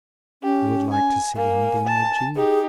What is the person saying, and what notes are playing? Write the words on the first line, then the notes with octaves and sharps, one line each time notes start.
"YOU would like to see him then, would you?"
C#4 G4
G#5
A#3 G#5
A5
D#4 G4 G#4